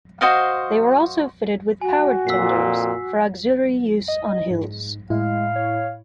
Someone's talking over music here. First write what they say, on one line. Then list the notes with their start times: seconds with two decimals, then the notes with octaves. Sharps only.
They were also fitted with powered tenders for auxiliary use on hills.
0.21 F#4 C5 D#5 F5
1.81 F#4 G#5
2.27 F2 A#2 E6 B6 C7
4.08 D#5
4.50 G#2
5.10 A2 G#3 E4 F5
5.56 C#5